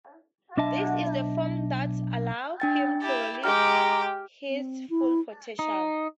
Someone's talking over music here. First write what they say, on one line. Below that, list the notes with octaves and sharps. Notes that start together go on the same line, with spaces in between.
This is the form that allows him to release his full potential.
B1 D4 D#5 E5 A5
D4 G5 A6
E4 G4 A6
G#3 G4 G5 A#5 D6 F6
C4
E4
D#4